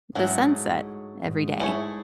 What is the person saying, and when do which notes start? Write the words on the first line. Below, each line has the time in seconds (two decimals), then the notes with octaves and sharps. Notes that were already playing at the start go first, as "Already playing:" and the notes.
the sunset every day.
0.15 G#2 F#3 A3 C#4 E4 G#4
1.23 G#2
1.60 A3 E4 G#4 C#5